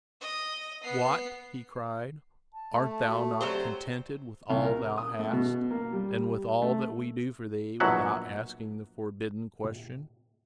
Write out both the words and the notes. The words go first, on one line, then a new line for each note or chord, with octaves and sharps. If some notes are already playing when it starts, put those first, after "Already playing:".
"What," he cried, "art thou not contented with all thou hast and with all that we do for thee without asking the forbidden question?"
D#5
B3 C7
A5
A3
F#4
F#3 C4 G4 C5 D5
C2
A#4
D#6
A3
B2
A#3
G3
A3
A#1 B2 E3 F#3 E5 F#5